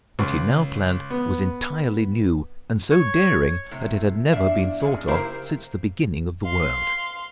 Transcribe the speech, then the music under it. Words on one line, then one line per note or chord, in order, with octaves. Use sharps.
What he now planned was entirely new and so daring that it had never been thought of since the beginning of the world.
C#2
B3
C#5
A2 C3
E2 D4 E5 F5
F2 G#3 C#4
C#3 A#3 E4 G4 A#4 C5
F5 C6